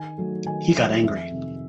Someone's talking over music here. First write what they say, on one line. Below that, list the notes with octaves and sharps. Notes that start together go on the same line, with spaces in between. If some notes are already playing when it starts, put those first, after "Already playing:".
He got angry.
Already playing: D#3 G#5
F#3 A3
D#3 G#5
F#3 A3 E5
F2 E5
C3 D#3